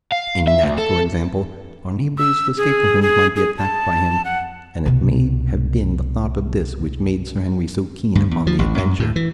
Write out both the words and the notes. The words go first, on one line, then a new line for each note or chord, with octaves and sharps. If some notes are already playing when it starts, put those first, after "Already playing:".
Any night, for example, our neighbours the Stapletons might be attacked by him, and it may have been the thought of this which made Sir Henry so keen upon the adventure.
F5
E5
D2
A4
E6
G#4
G#4
G#4
A5
F#5
C2 B2
G2
E2
F3
A1
F#2
A2
E3